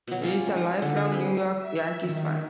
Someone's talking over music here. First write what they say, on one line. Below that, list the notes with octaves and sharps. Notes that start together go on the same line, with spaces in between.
He is a lifelong New York Yankees fan.
B2 F#3
C#4 F4 D5
D#4
D3
G#4
C4 B4
E5
D#3